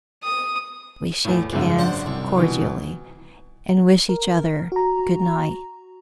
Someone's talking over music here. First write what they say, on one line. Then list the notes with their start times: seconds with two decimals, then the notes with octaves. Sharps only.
We shake hands cordially, and wish each other good-night.
0.23 D#6
1.25 E2 A2
1.53 G#1 C#2 F#2
1.78 D4 C5 F#5
2.06 C2
2.38 B2 E3
4.09 A#4
4.72 F#4 A#5